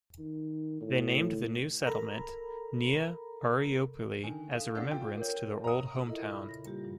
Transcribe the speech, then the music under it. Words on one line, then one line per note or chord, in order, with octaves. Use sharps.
They named the new settlement "Nea Argyroupolis" as a remembrance to their old hometown.
D#3
A2
A4 A#4 A#5 B5
D3 D#3 G#5
A4 F5 E7
C#4 D4 A4 B4 F5 F#5
F4 G5 E6
A#4 C#5
A#5 D#6
E4 F4 A4 A#4 D#5 E5
A#2
B5
C#3 A#6
G3 A#3 F4 G4
G2 F3